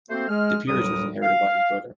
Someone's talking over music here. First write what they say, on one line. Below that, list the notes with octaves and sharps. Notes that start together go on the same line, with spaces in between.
The peerage was inherited by his brother.
A3 A#3 C4 F#4 C5
G#3 F6
D2 A2 F#3 G3 A#4 D#6
F5